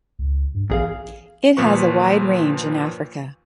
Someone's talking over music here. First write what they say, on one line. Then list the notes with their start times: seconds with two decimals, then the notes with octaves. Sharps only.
It has a wide range in Africa.
0.19 C#2
0.54 G2
0.70 A#1 E2 G#4 F5
1.57 D#2 A#2 F3 B4 C#6